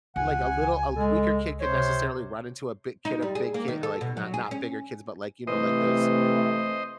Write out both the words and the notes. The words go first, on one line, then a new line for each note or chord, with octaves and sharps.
like, a little a weaker kid can necessarily run into a big kid a big kid, like not not bigger kids, but, like, you know, like, those,
C#2 F#5 G#5
G#3 A4
C3 C5 C#5
D#4
G3
G#4
A#3
D#3
A4
B2
F#3
G#4
C#4
C3 E3 A3 C5 D#5